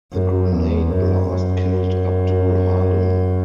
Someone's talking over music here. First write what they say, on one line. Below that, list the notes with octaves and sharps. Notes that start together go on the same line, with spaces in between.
The grenade blast killed Abdul-Halim.
F#2
E2
F#2
F#2